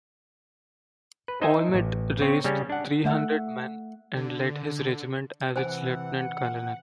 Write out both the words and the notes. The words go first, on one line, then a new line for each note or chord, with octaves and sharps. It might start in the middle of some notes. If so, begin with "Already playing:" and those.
Ouimet raised three hundred men, and led his regiment as its Lieutenant-Colonel.
B4
D#4 C5 D#5 E5 G#5
A1
C4 C#5
C#3 G3 C#4
D4 F#5
A3 E5 F#5
D3
C3 E3 C5 F#5 G#5